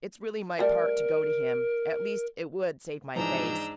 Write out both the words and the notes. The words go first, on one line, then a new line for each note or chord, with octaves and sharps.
It's really my part to go to him--at least it would save my face.
G3 A3 A#4
G#2 E3 F3 D4 A#5 E6 G6